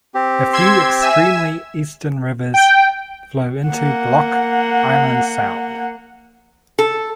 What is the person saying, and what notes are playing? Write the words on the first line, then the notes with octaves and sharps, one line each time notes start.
A few extremely eastern rivers flow into Block Island Sound.
C4 G4
C6 E6 G#6
E5 G#5 E6
G5
A#3 F#5
A4